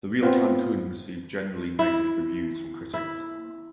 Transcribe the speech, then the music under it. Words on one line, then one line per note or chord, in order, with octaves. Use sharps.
"The Real Cancun" received generally negative reviews from critics.
B3 C4 F4
E4
E4